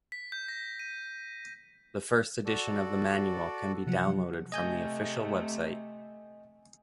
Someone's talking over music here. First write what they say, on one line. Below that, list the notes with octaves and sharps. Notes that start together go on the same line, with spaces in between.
The first edition of the manual can be downloaded from the official website.
B6
G6
A#6
D#7
F#4 A4 D5
C3 F3 F#3 F#5
C3 A3 D#5 G#5 G6